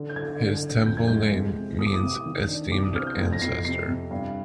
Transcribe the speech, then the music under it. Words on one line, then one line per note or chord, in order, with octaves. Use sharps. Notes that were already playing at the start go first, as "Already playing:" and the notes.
His temple name means "Esteemed Ancestor".
Already playing: D3
G6
D3 G#6
D3
D3
F2 G6
G#6
G#3 G6
C3
C3
C3 D#6
D6
D#6
C3
D#3
D4
C3 D6
D#6
C4 F6
G6
F2 G#6
A#6
F2 C7
C3 C7
C3
G2